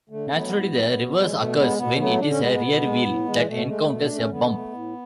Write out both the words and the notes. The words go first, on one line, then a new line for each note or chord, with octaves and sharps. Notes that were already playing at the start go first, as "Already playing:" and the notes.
Naturally the reverse occurs when it is a rear wheel that encounters a bump.
D3 A3
F#3 A3 B3
A2
F#3 A3
B2
G#3
B2 A3
G#3 B3
B2 B3
F#3 A3 B3
D3 D4
C#4
G#3 B3
B3
B2
G#3
A2
E3 G#3
B2 A3
G#3 A3
B2
D4
A3
C#4
D3 B3
A3
A2